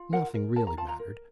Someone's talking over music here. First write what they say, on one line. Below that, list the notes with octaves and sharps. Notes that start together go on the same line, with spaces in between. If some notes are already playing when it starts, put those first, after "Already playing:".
Nothing really mattered.
Already playing: F4
A#4 F#5
A#4
A#4 A5
A#5
F4 A5
A#5
A#4